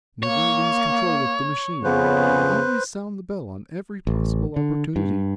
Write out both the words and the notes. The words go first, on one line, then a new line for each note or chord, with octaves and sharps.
Never lose control of the machine, and always sound the bell on every possible opportunity.
A#3 C#5
F2 C#3 B3 B4 C5
A1
D3
G2